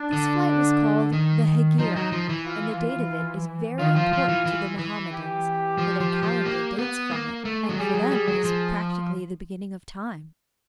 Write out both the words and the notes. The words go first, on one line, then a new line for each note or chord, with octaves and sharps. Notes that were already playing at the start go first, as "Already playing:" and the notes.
This flight was called the "Hegira," and the date of it is very important to the Mohammedans, for their calendar dates from it, and for them is practically the beginning of time.
Already playing: D4
D3
D#3
F3 D#4
F#3
F3
E3
F4
D#3 F4
F3
F3
E3
E3
E3
G4
F3
F3
F3
A#3
B3
A#3
A3
F#3
G3 G#4
F#3
G3
F#3
F3